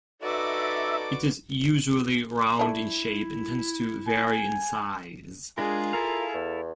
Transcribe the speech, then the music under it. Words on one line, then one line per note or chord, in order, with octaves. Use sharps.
It is usually round in shape and tends to vary in size.
D#4 F#4 A4 B4 D5 E5 D6
A3 D4 E4
G#5
G#3 D4 F4 G#4 A#4
E4 A4 A#4 F5
E2